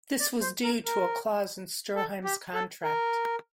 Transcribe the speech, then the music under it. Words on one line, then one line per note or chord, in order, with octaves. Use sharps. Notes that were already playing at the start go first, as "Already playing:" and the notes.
This was due to a clause in Stroheim's contract.
D5
C5
A#4
A#4
A4
G4
A4
A#4